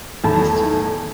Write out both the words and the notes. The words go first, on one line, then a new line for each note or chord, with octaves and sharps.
It's to
E2 A2 D#3 A5 B5